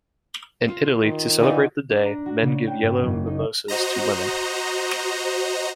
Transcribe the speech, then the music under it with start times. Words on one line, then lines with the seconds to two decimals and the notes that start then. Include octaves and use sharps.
In Italy, to celebrate the day, men give yellow mimosas to women.
0.68 F4
1.02 D#3
1.40 A#2 D3 E3 D#4
1.90 D4
2.05 A#5
2.26 F#4
2.42 C#3
2.67 G5
2.82 G#2
3.03 F#1
3.27 D#4
3.68 F#4 C5 D#5 A#5